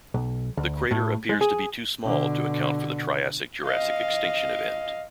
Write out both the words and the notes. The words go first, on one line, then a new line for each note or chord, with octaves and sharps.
The crater appears to be too small to account for the Triassic-Jurassic extinction event.
B1
D2
A2
G#3
G#4
B2 D3
D#5 F5